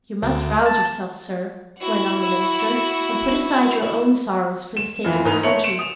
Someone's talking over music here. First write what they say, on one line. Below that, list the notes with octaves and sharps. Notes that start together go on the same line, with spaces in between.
'You must rouse yourself, sir,' went on the minister, 'and put aside your own sorrows for the sake of your country.'
D2
A5
E4 F#4
E7
F2 E3
G#2 D#4 B4 A#5 F7
A3 C#5 C#7 F#7
C#7 D7 E7
D#6 F7